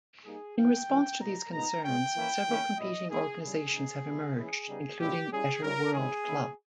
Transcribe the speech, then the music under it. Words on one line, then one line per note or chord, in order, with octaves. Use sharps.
In response to these concerns, several competing organizations have emerged, including Better World Club.
G3 A#3 D#4 G#4
E3 A#3 E4 G5
D#3 G3 B3 E4
B2 A#3 D#4 A#5
A#2 G#3 B3 D#4 A#5
A#2 G#3 C#4 G5
E3 A#3 C#4 E4
D#3 G#3 C#4 E4
A#2 G3 C#4 E4 D#5
E3 G#3 C#4 E4 G#4
G3 C#4 E4 G#4
C#3 G#3 D#4
B2 A#3 E4
E3 G#3 C#4 E4 G#4
C#3 G3 B3 D#4
A#2 G#3 C#4 E4 G4
G3 C#4 E4 G#4
G3 C#4 E4 A#4
D#3 G#3 C#4 E4 G#4
D#3 A#3 C#4 E4